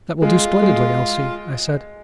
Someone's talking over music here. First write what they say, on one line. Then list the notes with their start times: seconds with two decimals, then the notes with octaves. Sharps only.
"That will do splendidly, Elsie," I said.
0.22 G#3 F4
0.62 G#3